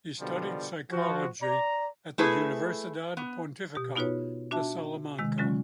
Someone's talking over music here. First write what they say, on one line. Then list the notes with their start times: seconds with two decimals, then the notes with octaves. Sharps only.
He studied psychology at the Universidad Pontificia de Salamanca.
0.20 B2 D3 F3 G3
0.91 F3 F#4
1.42 D5 A#5
2.18 A3 E4 G#4 B4
3.17 B3
3.75 B2 G4
3.96 B3 D#4 F4 F#4 B4 C#5
4.51 D4 F#4 E5 A5
5.19 C3 D#3 G#3
5.38 D3 F#3 G#3 C#4 F4